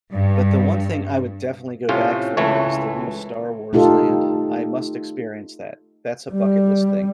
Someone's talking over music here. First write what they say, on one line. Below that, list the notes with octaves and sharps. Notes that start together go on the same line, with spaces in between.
but the one thing I would definitely go back for is the new Star Wars land. I must experience that. That's a bucket-list thing.
G2
A2 C3 A3 C#4 F4
C#2 E3 A3 C#5
A3 D#4 F4 G4 A4
G3